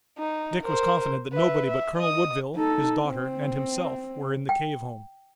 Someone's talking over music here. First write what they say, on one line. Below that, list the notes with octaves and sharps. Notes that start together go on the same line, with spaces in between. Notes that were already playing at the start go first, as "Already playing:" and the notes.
Dick was confident that nobody but Colonel Woodville, his daughter, and himself were in the cave-home.
D#4
A#4 C5
B4 E5
E5
D#5 D#6
D#4 A4
C4
G5